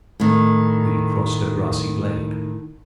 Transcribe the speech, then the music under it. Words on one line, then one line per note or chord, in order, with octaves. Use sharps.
We crossed a grassy glade.
A2 D#3